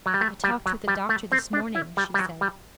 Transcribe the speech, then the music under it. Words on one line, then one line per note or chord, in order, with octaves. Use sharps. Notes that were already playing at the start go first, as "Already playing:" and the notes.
'I talked with the doctor this morning,' she said.
F#3
G3
A3
G3
F#3
G3
A3
C4
D4
E4
G3
G3
F#3
G3